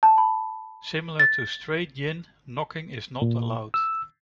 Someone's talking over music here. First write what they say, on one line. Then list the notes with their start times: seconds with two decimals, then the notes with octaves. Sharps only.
Similar to Straight gin, knocking is not allowed.
0.03 A5
0.18 B5
1.20 A6
3.22 A#2
3.74 E6